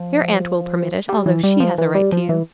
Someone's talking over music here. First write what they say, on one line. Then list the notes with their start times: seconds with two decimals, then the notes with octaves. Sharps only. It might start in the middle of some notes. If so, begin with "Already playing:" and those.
Your aunt will permit it, although she has a right to you.
Already playing: F3
1.09 G3
1.26 E3
1.43 G3
1.60 F3
1.78 E3
1.95 G3
2.12 F3
2.29 E3